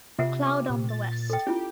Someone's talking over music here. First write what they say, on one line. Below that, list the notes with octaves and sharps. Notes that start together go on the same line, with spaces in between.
Cloud on the west.
C3 F4 E5 F#5
D6
A#2
A6
A4 G5
C#4 E4 F4 G4